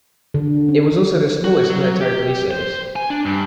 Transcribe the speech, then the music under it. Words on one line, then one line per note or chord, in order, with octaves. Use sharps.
It was also the smallest military police service.
D3
C#4
F#4
F#3
G4
C5
G#5
D4
G2